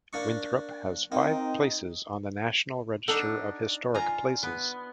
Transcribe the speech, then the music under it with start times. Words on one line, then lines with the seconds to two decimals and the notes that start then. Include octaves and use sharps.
Winthrop has five places on the National Register of Historic Places.
0.13 A#3 D4 C#6
1.12 A#3 C4 D#4
3.08 D4 D#4 A4 F#5
3.94 F4 G#5 A#5
4.43 B3